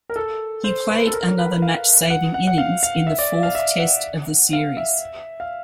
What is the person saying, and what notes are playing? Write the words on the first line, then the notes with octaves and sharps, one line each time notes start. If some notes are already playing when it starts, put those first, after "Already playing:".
He played another match-saving innings in the fourth Test of the series.
A#4
A4
C5
B4
A4
A#4
B4
F5
F#5
F#5
F#5
F5
F5
E5
D5
F5
E5
F#5
F5
E5
F5